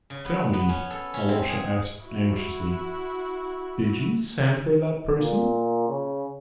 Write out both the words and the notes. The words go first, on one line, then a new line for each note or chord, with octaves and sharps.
"Tell me," Alyosha asked anxiously, "did you send for that person?"
C#3
B3
B3
C#4
A4
C#4
C4
G#4
E4 F#4
A#2
C#3